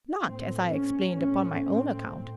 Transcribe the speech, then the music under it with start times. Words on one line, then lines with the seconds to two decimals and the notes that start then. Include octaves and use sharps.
Not, as I explained, upon my own account.
0.23 A2 C4
0.69 C#4
1.14 A2 C#4
1.60 C4
2.06 A2